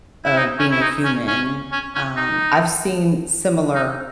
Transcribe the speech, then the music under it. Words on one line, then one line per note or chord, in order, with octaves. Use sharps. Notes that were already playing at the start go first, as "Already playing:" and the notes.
of being a human, um, I've seen similar
E4
D#4
C#4
E4
D#4
C#4
C#4
C#4
C#4
D#4
D#4